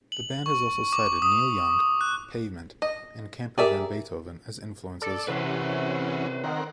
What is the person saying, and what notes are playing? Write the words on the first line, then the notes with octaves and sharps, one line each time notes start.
The band has also cited Neil Young, Pavement, and Camper Van Beethoven as influences.
F#7
C#6
D6
D#6
F#6
D#5
G4 G#4 A#4 D5 E5
A4 D5
C3 E3 C#4 F#4 B4 C5
D#3 C4 A#4 F#5